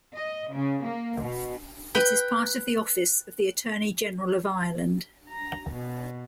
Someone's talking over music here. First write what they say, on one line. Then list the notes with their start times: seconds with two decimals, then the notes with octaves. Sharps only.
It is part of the office of the Attorney General of Ireland.
0.14 D#5
0.53 C#3
0.86 A#3
1.21 B2
1.95 B4 G5
5.29 A#5
5.73 B2